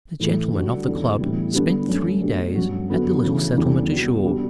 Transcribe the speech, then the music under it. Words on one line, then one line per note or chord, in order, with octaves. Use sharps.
The gentlemen of the club spent three days at the little settlement ashore.
A2 E3 A3
D3 G3 D4 F#4
E2 D3 G3 C#4
A2 E3 G3 B3
D3 G3 B3 D4 G4
F#2 D3 A3 C#4
B2 A3 D4 G4
G2 F#3 C#4 F#4
F#2 D3 F#3 B3 F#4
C#3 E3 A3 C#4
E2 D3 G3
C#3 G3 B3 F#4
B2 G3 D4 G4